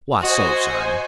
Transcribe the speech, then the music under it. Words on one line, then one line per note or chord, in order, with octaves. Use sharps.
"Why so, Simon?"
F#4 C5 D#5 G#5